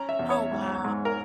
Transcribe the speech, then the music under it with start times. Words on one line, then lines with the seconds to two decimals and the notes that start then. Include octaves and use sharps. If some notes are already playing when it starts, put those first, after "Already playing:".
Oh, wow.
Already playing: C#4 A#5
0.09 E5
0.19 E2
0.30 C#5
0.51 G#2
0.84 G#2
1.05 A#4